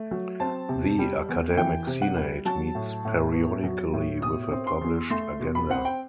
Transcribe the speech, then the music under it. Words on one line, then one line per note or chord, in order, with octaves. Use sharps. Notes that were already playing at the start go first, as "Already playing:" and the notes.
The academic senate meets periodically with a published agenda.
Already playing: A3
F#3
C4 A5
C3
G3
E2
E3 G5
C3
F#5
G3
F#3 A5
A2
A2
B3
F#3
A2
B2 D#6
C4
C6
E2
A3 C6
B2
B5
C4 F#5
G5